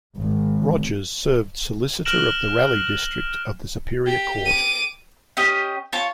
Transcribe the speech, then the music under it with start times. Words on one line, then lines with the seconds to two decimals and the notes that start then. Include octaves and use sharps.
Rogers served solicitor of the Raleigh district of the superior court.
0.17 G#1
2.05 F6 F#6 A#6 D7 E7 F#7
4.07 G4
4.45 D6 D#7
5.37 C#4 G4 D#5
5.93 F4 C#5 A5